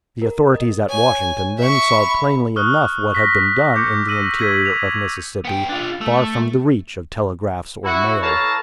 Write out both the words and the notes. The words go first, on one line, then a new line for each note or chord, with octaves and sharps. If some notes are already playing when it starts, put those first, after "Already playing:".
The authorities at Washington then saw plainly enough what had been done in the interior of Mississippi, far from the reach of telegraphs or mail.
A#4
D#5
C#5 G#5
E5 C#6
B5
C#6 D#6 F6 F#6 G7
F6 A#6 B6
D6 G6 C#7
E6 A#6 D#7 F#7
E6 G#6 B6 D#7 F#7
F7
B3 G5
D4 F4
A3
E4 F#4
E3 A4 C#5 F5 A5 A#5